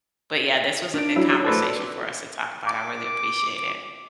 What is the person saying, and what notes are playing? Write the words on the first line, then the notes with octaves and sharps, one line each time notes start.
But, yeah, this was a good conversation for us to talk about, I really appreciate it.
D4 D5
F#3 E4
A3 A4 B4 C5 D5 A5
D6